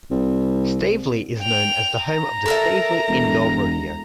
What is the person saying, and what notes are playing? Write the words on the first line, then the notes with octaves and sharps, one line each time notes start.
Stavely is known as the home of the "Stavely Indoor Rodeo".
C2
G5 F7
A#5
A4 A#4 E5
E1